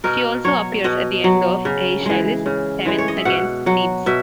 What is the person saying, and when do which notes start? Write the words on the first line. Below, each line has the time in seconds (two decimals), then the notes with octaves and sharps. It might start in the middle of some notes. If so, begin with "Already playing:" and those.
She also appears at the end of Aeschylus' "Seven Against Thebes".
0.04 B2 A#4
0.45 F#3 C#5
0.84 B2 D#5
1.24 F#3
1.65 C#3
2.06 E3 G#3
2.46 C#3
2.86 E3 G#3
2.98 C#5
3.08 D#5
3.17 E5
3.25 B2 F#5
3.66 F#3 F#5
4.06 B2 E5